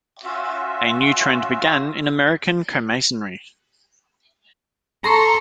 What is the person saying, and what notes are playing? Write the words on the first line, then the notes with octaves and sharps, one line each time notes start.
A new trend began in American Co-masonry.
C#4 F4 F#4 E5
A4 A#5 C6 C#6